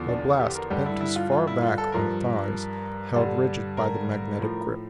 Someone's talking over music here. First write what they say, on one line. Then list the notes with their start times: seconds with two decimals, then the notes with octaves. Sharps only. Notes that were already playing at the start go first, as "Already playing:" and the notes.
The blast bent us far back on thighs held rigid by the magnetic grip.
Already playing: E2 D3 F3
0.08 D4
0.40 G4
0.55 A#4
0.70 G2 D3 G3 G4
0.86 E4
1.01 E4
1.16 F4
1.32 F4
1.47 E4
1.62 F4
1.78 A4
1.92 G2 F3 A#4
3.16 G2 D3 G3
3.77 A#4
4.39 A2 F3